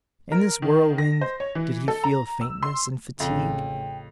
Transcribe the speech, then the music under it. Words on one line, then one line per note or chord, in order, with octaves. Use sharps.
In this whirlwind, did he feel faintness and fatigue?
A#4
D#3
A#6
C5
C#5
E3
A4
A#5
E6
C6
A1 F2 C#3 G5